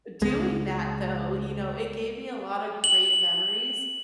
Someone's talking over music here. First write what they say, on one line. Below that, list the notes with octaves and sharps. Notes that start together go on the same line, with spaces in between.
doing that though, you know, it gave me a lotta great memories
C#2 G#3
F#7